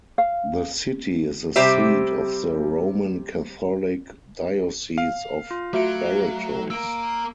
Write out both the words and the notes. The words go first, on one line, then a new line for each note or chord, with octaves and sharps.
The city is the seat of the Roman Catholic Diocese of Barretos.
F5
C3 G3 G4 C5 E5
F5
F4
F#3 A3 F#4 E5 D7
A#3 A#4 E6 D7